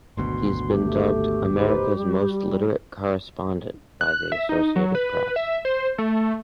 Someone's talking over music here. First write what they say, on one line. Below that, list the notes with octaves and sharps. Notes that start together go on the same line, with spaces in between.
He has been dubbed "America's most literate correspondent" by the Associated Press.
G#1 D2 B2 C6
A3 G4
D#4 B4 C5
G3
F#6
E5
D#4
F#3
B4
E5
C5
A3